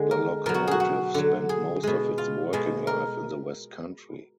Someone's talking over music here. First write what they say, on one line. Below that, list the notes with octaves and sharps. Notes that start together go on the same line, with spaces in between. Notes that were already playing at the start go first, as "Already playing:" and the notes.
The locomotive spent most of its working life in the West Country.
Already playing: D3 G#3
A#4
B2 F#3 A#4
F#4
F#4 G#4
F#4
D3 F#3
G#4
B2 G#3
F4
B2 G#3
A#4